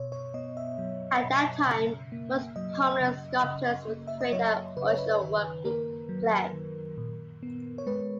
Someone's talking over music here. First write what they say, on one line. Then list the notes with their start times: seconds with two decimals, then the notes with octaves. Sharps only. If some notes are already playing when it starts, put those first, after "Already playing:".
At that time most prominent sculptors would create their original work in clay.
Already playing: B2 C#5
0.12 C#5
0.34 B3 D#5
0.57 E5
0.78 F#3
1.23 B2
1.67 C#3
2.12 A#3
2.56 F#3 D#5
3.01 C#3
3.44 C#3
3.88 A#3
4.07 E5
4.21 D#5
4.32 F#3 C#5
4.77 C#3 B4
4.88 C#5
4.98 B4
5.11 C#5
5.21 D#3 B4
5.65 A#3 A#4
6.09 F#3
6.53 D#3
6.98 A#2
7.43 B3
7.78 C#5
7.87 G#3 B4